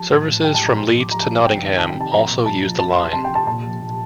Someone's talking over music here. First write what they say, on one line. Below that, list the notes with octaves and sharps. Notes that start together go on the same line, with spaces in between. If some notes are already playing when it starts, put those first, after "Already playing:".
Services from Leeds to Nottingham also use the line.
Already playing: F3 A5
A2
A2
F3 G5
A5
A2
A#5
A2 C6
F3
D6
F3 A#5
A5
F3
C3 G5
D#3
D#3 A5
G5
C3
A5
F3 A#5
A#2
F3 A5
F3
F3 A5
F3 C6
C3 A5
G5
C3
A5
A#2 A5
F3
A#2